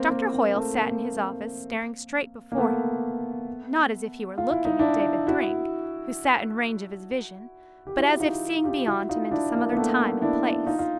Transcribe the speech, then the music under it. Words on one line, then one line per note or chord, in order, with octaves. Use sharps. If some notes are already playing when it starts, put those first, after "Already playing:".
Doctor Hoyle sat in his office staring straight before him, not as if he were looking at David Thryng, who sat in range of his vision, but as if seeing beyond him into some other time and place.
Already playing: A#3 C4
A#3
A#3
A3
A#3
A#3
A3 B3
F4
E4
D#4
D4 E4
E4 F#4
G4
E4 F#4
D#4 F4
F4 G4
E4 F#4
D#4 F4
D4 E4
A#3
A#3
A3 B3
D4 E4
D#4 F4
F4